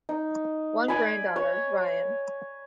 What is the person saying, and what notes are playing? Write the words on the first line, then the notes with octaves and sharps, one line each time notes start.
One granddaughter, Ryan.
D#4
D5 G#5 B5
C#5